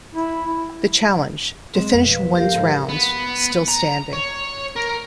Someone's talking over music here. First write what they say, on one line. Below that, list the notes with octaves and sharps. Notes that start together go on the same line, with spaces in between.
The challenge: to finish one's rounds still standing.
E4
G#3 C4
F2 F5
B2 F3 A3 B4
A#3
F3 G4 A#4 F5
G#2 D3
B3
A#5
C#5
A#4